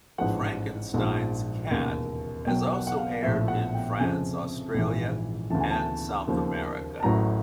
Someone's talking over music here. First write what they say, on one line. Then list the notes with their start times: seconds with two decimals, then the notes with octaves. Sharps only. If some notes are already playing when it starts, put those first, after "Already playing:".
Frankenstein's Cat has also aired in France, Australia and South America.
0.18 A1 G#2 F3 F#5
0.94 A#1 G#2 F3
1.70 E1 D#2 C#3
2.47 B1 B2 F#3 G5
2.72 F#5
2.87 F#5
2.97 F5
3.22 A#1 A2 F3 E5
3.48 F#5
3.74 G5
3.99 F1 F2 C#3 F3 G#5
4.74 A#1 G#2 E3
5.50 D2 C#3 E3 A5
5.60 G#5
5.70 A5
6.28 D#2 C#3 F3
6.99 A5
7.03 A1 A2 F#3 A#5